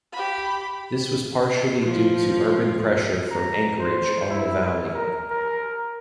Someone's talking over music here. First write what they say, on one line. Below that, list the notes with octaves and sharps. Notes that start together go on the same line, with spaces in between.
This was partially due to urban pressure from Anchorage on the valley.
G4 B5
F3
A#5
C5
E4
A#4
A#4